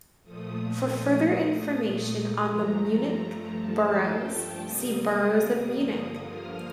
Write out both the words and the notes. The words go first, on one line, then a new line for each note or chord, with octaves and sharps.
"For further information on the Munich boroughs, see:" Boroughs of Munich.
A#2 F3 A3 D#6
D#6
A#2 A3
D#6
G2 F3 A3 A#5
G2 F3 A3 A5
G5
C3 G3 A#3 D#6
D#6
G2 D3 F3 A#3
F6